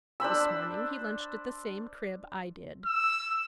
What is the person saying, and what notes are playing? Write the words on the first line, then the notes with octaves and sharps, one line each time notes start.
This morning he lunched at the same crib I did.
D4 C5 B5 E6
E6